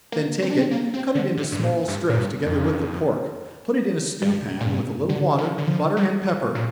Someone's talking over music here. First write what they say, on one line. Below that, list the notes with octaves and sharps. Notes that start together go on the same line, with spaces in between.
Then take it, cut it into small strips together with the pork, put it in a stew pan, with a little water, butter, and pepper.
A#3
C4
D4
C4
A#3
C4
D3
C3
G2
A#2
G2
A#2
G2
F2
G2
A#2
G2
D3
D3
D3
F3
G3
A#2